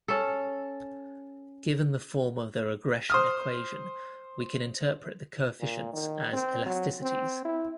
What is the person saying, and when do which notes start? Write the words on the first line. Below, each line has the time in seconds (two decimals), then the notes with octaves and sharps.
Given the form of the regression equation, we can interpret the coefficients as elasticities.
0.08 C#4 A4
3.10 C5 D#6 F6
5.60 A#2
5.93 D#3
6.33 C4
6.66 F#3
7.02 C4
7.45 E4